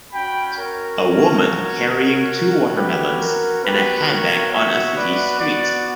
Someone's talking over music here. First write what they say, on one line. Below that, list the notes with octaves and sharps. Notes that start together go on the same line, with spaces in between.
A woman carrying two watermelons and a handbag on a city street.
C#4 F#4 G5 B5
A#4 C#5
G4 B4
A#4
B3 F#4 G4 B4
A#4 C#5
C#5 E5
B4 D5
D5 F#5